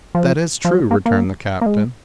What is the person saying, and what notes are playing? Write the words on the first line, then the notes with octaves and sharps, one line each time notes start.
"That is true," returned the captain.
F3
F3
F#3
A#3
A#3
A#3
G#3